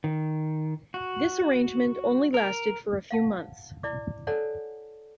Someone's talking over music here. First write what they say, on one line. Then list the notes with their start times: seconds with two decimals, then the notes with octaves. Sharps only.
This arrangement only lasted for a few months.
0.04 D#3
0.94 F#4
2.34 A#4
3.11 F5 F#5 A5
3.83 E4 D5 D6
4.27 A4 C#5 D5 F#5 G#5 A5